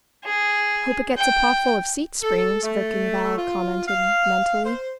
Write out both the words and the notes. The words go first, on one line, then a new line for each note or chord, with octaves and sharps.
"Hope it gets a paw-full of seat-springs," Verkan Vall commented mentally.
G#4
G5
A4
A3
F4
F5
C5